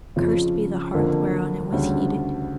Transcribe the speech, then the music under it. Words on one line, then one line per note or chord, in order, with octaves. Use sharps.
Cursed be the hearth whereon it was heated!
F2 C#3 F3 C#4 F4
F2 D3 F3 A#3
D2 C#3 G3